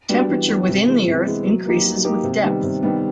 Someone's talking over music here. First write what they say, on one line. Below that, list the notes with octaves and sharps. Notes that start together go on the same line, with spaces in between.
Temperature within the Earth increases with depth.
G3 B3 D4 F#4
E3
G3 B3 D4 F#4
C3
E3 G#3 B3
C3
E3 G#3 B3
F#3
A#3 D#4 G4
F#3
A#3 D#4 G4
C3
D#3 G3 B3
C3
D#3 G3 B3